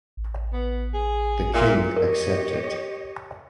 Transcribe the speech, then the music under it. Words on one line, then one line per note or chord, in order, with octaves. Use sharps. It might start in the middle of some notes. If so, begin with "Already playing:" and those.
The king accepted.
A1
B3
G#4
A#2 E5
G4 A#4 C#5 D#5